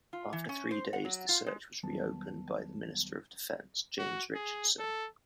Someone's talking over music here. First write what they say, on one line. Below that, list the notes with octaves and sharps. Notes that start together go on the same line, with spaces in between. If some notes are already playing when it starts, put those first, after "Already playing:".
After three days the search was reopened by the Minister of Defence, James Richardson.
F4
E3
C#4
C5
F#5
F#3
F4
G#3
E2 D#3 F#3 G3 B3 A5
F#4
G#4
A4